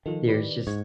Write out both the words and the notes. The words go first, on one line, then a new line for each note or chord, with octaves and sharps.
There's just
D#3 F3 F4 A4
G4 B4 D5
G#2 C#6 G#6